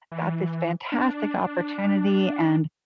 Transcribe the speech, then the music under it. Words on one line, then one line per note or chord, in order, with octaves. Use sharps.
got this fantastic opportunity and
E3
D4